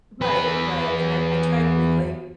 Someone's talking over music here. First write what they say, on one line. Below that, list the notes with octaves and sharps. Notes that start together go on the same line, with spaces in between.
Right, right, and I I try to relate
E2 B4